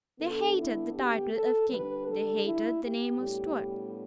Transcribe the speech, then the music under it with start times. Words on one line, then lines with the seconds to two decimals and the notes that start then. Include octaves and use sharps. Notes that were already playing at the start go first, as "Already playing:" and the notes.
They hated the title of King. They hated the name of Stuart.
0.20 D3 B3 D4 A4
0.58 E4
0.95 G4
1.32 A4
1.69 D3 G3 D4 B4
2.06 A4
2.44 E4
2.82 G4
3.19 A2 G3 B3 D4